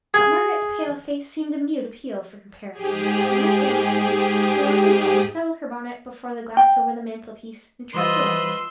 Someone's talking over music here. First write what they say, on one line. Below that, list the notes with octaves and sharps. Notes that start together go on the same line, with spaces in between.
But Margaret's pale face seemed a mute appeal for compassion; so Miss Lamberton drew on her gloves, settled her bonnet before the glass over the mantel-piece, and tripped away.
G#4
G#2 G4 G#4
G5
E3 G3 F4 B4 C5 D#5 C6 E6